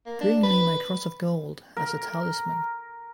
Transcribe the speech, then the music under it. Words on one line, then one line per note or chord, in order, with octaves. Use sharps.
Bring me my cross of gold as a talisman.
A#3
D4
B4
A#4